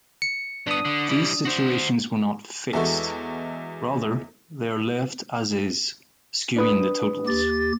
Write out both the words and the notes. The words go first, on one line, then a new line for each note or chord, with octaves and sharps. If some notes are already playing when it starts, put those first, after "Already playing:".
These situations were not "fixed"; rather, they are left as-is, skewing the totals.
C#7
G2 B3 D4 D#6
D3
E3 G3
F#4 C5
E2 G#3 E4 F#4 A4 C#6
D4 B4 D#6
D#2 G4 A6